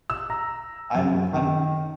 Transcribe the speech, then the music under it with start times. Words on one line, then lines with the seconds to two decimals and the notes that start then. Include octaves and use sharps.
I'm I'm
0.10 E6
0.30 A#5
0.95 F#2
1.33 D#3